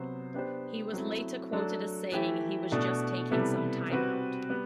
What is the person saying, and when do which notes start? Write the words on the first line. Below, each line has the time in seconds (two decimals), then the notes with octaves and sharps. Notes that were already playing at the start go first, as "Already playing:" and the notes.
He was later quoted as saying he was just taking some time out.
Already playing: C3 F#3 B3 F#4 C5
0.34 B3 D4 G4 C5
0.93 F#3 A3 C4 E4
1.52 F#3 A3 D4 A4
2.12 E3 A3 E4 G4
2.72 B2 A3 D4
3.31 C3 G3 B3 E4 A4
3.90 G3 C4 F#4 B4
4.49 G3 B3